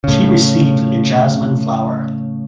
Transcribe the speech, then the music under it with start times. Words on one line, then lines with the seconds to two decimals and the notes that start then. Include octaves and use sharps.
She received a jasmine flower.
0.04 A2 C#3